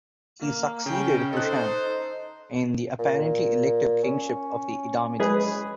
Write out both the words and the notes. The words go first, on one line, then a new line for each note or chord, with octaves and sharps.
He succeeded Husham in the apparently elective kingship of the Edomites.
A#3
C#3 C#4 G5
D#4 A4 C5 F#6
A#2
C#4
G#3 G#4 B4